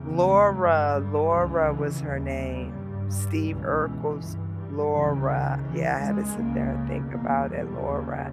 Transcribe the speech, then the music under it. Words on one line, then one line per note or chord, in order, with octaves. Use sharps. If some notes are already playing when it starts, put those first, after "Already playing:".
Laura, Laura was her name. Steve Urkel's Laura yeah, I had to sit there and think about it. Laura.
Already playing: E2 C#3
G#3
G2
G3
C#2 C#3 E3
D#2 C#3 G3
G2
G3
C#2 B2 E3
G2
G3
C#2 C#3 E3
D#3
D#2 C#3 E3
G#3
C#2 C#3 A#3
E2 B2 A#3
G3
D#2 C#3